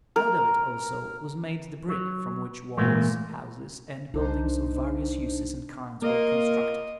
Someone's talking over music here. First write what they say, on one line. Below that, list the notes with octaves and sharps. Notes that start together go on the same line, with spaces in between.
Out of it also was made the brick from which walls, houses, and buildings of various uses and kinds were constructed.
A#4
F#3
A#2 E3 G#3 A3
C2 D4 D#4 C5
A#3 F4 A#4 D#5